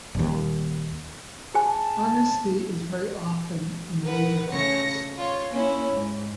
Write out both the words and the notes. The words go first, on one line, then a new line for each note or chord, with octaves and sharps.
Honesty is very often a major focus.
D#1 D#2
G#4 G#5 A5
A#4 B4 F#5
C#3 A3 C#5 A#6 C#7
F4 C#5
A#3 C#4 E4
G#2